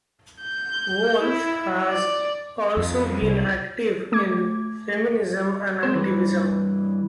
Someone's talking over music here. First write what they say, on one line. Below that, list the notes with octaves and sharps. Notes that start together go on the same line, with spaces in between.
Wolfe has also been active in feminism and activism.
G6
E4
D5
F2
C2
A3 D6 G#6
G#3 C4 C5
G2 E3 B4